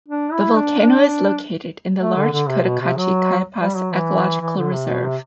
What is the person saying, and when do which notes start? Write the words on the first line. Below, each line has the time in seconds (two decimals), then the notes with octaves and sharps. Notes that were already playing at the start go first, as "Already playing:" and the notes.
The volcano is located in the large Cotacachi Cayapas Ecological Reserve.
0.08 D4
0.32 E4
0.56 D4
0.80 D4
2.00 A3
2.16 D3
2.32 D3
2.48 C3
2.64 B2
2.81 C3
2.96 F#3
3.60 G3
3.76 F#3
3.93 E3
4.40 E3
4.56 D3
4.72 C3
4.88 B2
5.04 C3